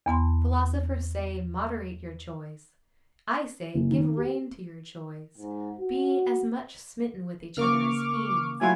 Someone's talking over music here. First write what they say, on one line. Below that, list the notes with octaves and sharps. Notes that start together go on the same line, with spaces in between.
Philosophers say: 'Moderate your joys.' I say: 'Give rein to your joys.' Be as much smitten with each other as fiends.
E2 B3 A5 C6
F#1
D#3
G4
G#2
F#4
C#3 A#3 C#6 D6 F6
F#3 A3 E4 F4 F#5 G#5